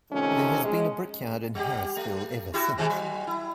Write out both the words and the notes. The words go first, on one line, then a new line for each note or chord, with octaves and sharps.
There has been a brickyard in Harrisville ever since.
C3 D#3 F3 A3 C#4
G#3
G3 G4
A3
E4 F#4 G4
C3 D#3 G#3
F#3
E4